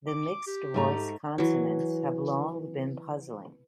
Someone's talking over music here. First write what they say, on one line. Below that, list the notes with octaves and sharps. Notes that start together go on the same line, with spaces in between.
The mixed-voice consonants have long been puzzling.
D6
G4
G#2 A3 A#5
E3 F#3